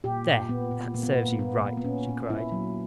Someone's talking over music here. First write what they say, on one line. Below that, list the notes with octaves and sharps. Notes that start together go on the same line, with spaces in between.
"There! that serves you right," she cried.
A#2 G4
A#2
A#2 B3
A#2
A#2 A#3
B3
A#2 A#3
A#3
A#2 B3
A#2
B3
A#2 C#4
A#2
A#3 E4
F#3